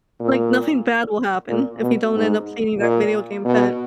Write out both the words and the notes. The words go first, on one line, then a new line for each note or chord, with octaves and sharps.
Like, nothing bad will happen if you don't end up cleaning that video game pet.
A#2
A#2
B2
G#2
A#2
B2